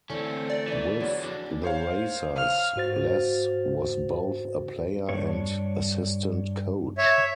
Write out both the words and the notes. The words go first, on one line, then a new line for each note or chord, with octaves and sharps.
With the Racers, Les was both a player and assistant coach.
D3 E3 A3 C4 C#4
A#4 D5
E3 D4 B4
E2 F#3 D4
F2 D4
C5 C#5 F5
F5 F6
G#2 F#4 C5 A6
G2 D4 C#5
C#5 E5